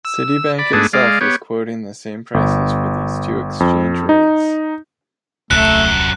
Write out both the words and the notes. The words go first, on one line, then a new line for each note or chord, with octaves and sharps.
Citibank itself is quoting the same prices for these two exchange rates.
E6
D5 B5
G#2 A3 B3 D4 G#4
G#3 D5 F5
B3 G4 C#5
G1
F2
D#4
D#1 C2 F#2 A3 A4 F#6